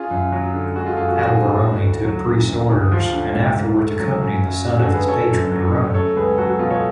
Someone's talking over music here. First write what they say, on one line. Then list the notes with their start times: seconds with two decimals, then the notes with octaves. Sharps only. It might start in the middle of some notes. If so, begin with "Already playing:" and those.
Alberoni took priest's orders, and afterwards accompanied the son of his patron to Rome.
Already playing: C#4 F4 G#4
0.11 F#2
0.32 F#3
0.54 D3
0.76 G#3 F#4
0.86 F4 G#4
0.92 A4
0.97 F#2 F4 G#4
1.08 F#4
1.19 F3 F#4
1.41 D3
1.62 A3
1.84 D2
2.05 F#3
2.27 C#3
2.49 D2
2.70 D2
2.92 F3 F4
3.13 D3
3.35 G#2
3.57 G#2
3.78 A3
4.00 F#3
4.22 C#4
4.43 F#2
4.65 G#3 F#4
4.79 F#4 A4
4.86 D3
4.94 G#4 B4
5.08 C#4 A4 C#5
5.30 F#2
5.52 F#3
5.73 C#3
5.94 A3 A4 C#5
6.16 C#2 G#4 B4
6.38 F#3 F#4 A4
6.49 F#4
6.59 B2 F4
6.70 A4 C#5